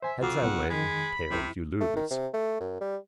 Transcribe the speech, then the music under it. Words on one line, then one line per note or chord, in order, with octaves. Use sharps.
Heads I win tails you lose.
C5 E5 G#5
C2 F2 F4 F#4 D6
C2 B3 F#5
F2 D#3 G#3 B5
F2 C3 E4
A3
D#3
C3
A3
F#2
G3